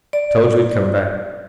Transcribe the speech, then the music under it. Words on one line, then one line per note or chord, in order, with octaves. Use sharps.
"Told you he'd come back."
D5